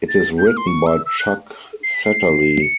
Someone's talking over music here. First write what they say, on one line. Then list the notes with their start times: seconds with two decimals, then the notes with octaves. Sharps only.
It is written by Chuck Satterlee.
0.09 A6
0.38 G6
0.47 F6
0.57 C6
0.67 C#6
0.87 E6
1.06 E6
1.19 F#6
1.84 C7
1.94 B6
2.05 C7
2.62 C#7